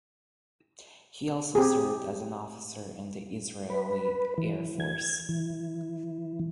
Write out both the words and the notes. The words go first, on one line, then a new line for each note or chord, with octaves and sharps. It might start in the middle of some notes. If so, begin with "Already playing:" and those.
He also served as an officer in the Israeli Air Force.
C4 G4 G#4
B4
E3
G#6
E3